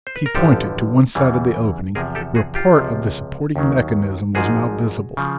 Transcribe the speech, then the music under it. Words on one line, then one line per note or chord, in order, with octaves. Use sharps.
He pointed to one side of the opening, where part of the supporting mechanism was now visible.
C5
B4
A#4
A1 G2 D3 F3 G4 A4
E2 C#3 E3 G3
E2 C3 F3 G#4 A#4
G4 A4
F#4 G#4
F4 G4
C#2 C3 F3
D#2 D#3 F#3
G#1 G#2 F3 F#4 G#4
C#3 F3